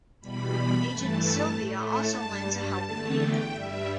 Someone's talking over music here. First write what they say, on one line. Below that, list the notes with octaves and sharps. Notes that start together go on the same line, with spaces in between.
Agent Sylvia also lends a helping hand.
E2 B2 G3 B5
G2 E3 A3 A5
A2 A3
A5
G2 G3
A5
E2 D3 A3
G5
G2 G3 E5